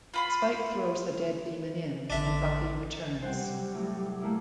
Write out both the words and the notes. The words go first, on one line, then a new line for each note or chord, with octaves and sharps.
Spike throws the dead demon in, and Buffy returns.
F4 B5 C6
A1 D3 D4 E5
G3 C5 F#5 G5
F#3
A2 C3 F#3
A3 A#3 E4